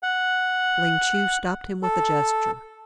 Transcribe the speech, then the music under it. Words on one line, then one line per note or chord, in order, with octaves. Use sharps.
Ling Chu stopped him with a gesture.
F#5
A4